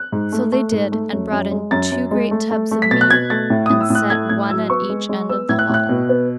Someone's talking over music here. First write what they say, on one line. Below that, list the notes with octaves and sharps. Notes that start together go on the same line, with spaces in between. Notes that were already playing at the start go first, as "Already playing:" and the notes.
So they did and brought in two great tubs of mead and set one at each end of the hall.
Already playing: F#6
G#2
A3
A3
G#2
A3
F#2
F#2
G#3
F#2 A6
F#2
G#3
A3
A3
A3
B6
B2 A6
F#6
B2 G#6
A3 A6
A2
A2 D#6
E6
A2
F#6
A3 G#6
A2 G#6
F#3 E6
B3 C#6
G#3
G#3
B3 E6
A2 G#6
F#6
A2 F#6
B2
B3